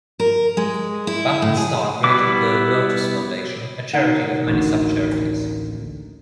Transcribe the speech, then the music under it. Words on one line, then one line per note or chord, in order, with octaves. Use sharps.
Bach and Starr created The Lotus Foundation, a charity with many sub-charities.
A#4
G#3
E4
A2
G#4
G3 B3 E4 D6
D#2 D#3 F#5
A1 D2